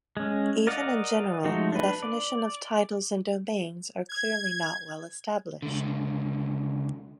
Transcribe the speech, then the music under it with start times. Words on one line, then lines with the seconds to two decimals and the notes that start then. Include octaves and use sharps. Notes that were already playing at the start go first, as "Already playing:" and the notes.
Even in general, the definition of titles and domains are clearly not well-established.
0.17 G#3 C#4
0.67 A#4 D5 D#5 F5 F#5
1.44 F3 G#3 A3 D#4 F#4
1.72 D4 B4
2.02 D5
4.09 G#6
5.62 C#2 D3